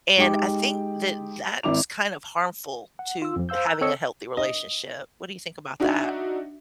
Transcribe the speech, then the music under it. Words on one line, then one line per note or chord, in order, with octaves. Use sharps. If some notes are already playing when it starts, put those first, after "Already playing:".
and I think that that's kind of harmful to having a healthy relationship. What do you think about that?
G#3 D#4 G4 D6
G#1 E4 D6 F7
F#5
F4 E6
F2 F3
C5 F5 E6 G6
A#5 E6 F#6 G6
C4 A4 C#5 D#5 E6 C#7
D#5
D4 D#4 F#4 E5